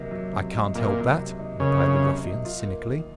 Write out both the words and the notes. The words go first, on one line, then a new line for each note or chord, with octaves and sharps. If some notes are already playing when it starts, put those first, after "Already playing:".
"I can't help that," replied the ruffian, cynically.
Already playing: C3 F#3 A#3 D#4
F#3
C3
D#4
A#2 A#3
F#3
C3
D#4
C#3 A#3
F#3
C3
D#4
F4
A#3
D#3